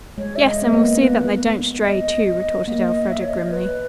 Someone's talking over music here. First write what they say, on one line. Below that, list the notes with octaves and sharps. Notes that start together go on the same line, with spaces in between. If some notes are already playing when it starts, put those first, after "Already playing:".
"Yes, and we'll see that they don't stray, too," retorted Elfreda grimly.
G#3 C#5
E5
G#3 D#5
B3 E5
A#3 D#5
B3 B4
D#5
D#5
A#3 D#5
D#5
E5
C#5
D#5
B4